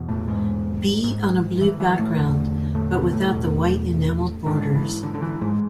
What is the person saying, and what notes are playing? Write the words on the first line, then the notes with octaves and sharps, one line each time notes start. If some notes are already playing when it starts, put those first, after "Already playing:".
B. on a blue background, but without the white enameled borders.
Already playing: E2 B2
A2 A3
G#2 G#3
G#2
E3
E3
A2 A3
E2 D3
A2 A3
B2 B3
A2 A3
E2 B2
G#2 D3
E3
D3
D3
E3
G#2 G#3